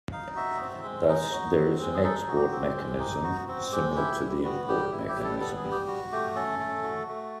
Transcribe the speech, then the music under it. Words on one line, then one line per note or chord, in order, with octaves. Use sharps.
Thus there is an export mechanism similar to the import mechanism.
D#4 F5
F#4 E5
C4
G#3
D#4 D#5
F#4
C4
G#3
G#4
D#4 A4
G#4
F#4
G4
C4
G#3
D#4
F#4
C4 F#4
G#3 G4
E4 G4
G3
B3 F#4
G3 G4
E4
G4
G3
A4
B3 A4
G#4
G3
G4
F#4
A3 G4
C#4 A4
A3
F#4
A3